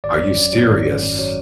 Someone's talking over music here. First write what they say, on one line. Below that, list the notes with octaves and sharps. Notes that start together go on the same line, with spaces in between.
Are you serious?
G#1 D5
F#3
F#2
F#3
G#1
F#2
F#2
F#3